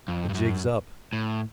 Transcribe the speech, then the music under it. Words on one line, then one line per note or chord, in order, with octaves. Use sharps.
The jig's up.
F2
G2
F#2
A2